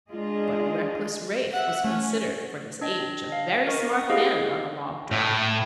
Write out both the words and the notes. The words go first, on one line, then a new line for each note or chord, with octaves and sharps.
But reckless Rafe was considered, for his age, a very smart hand on a log drive.
G#3 D4 F4 G#4 D#5
E5 F#5
A3 C#4
D4 D#5 G5
D#5 F5
A#4 D#5 C#6
F#5 D#6
E4 G4 G#4 C5 D#5 F5
A2